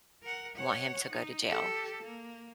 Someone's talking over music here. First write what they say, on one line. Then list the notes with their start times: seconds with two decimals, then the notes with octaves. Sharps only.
want him to go to jail,
0.23 A#4 F#5
0.56 C#5 F#5
1.12 D#4
1.46 G4 A4
2.03 A#3